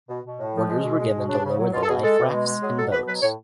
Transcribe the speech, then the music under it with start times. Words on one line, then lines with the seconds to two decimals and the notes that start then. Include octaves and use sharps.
Orders were given to lower the liferafts and boats.
0.09 B2
0.23 B2
0.38 A2
0.54 F3
0.69 G#3
0.83 B2
0.98 G#3
1.14 B2
1.28 C#3 D4
1.44 C#3
1.59 F#3
1.73 B2 F4
1.83 A4
1.88 B2 G#4
2.03 G#3 A4
2.18 B2
2.33 G#3
2.47 G#3
2.62 F#3 G#4
2.78 B2 A4
2.92 B2 B4
3.07 F#3 B4
3.22 A2 C#5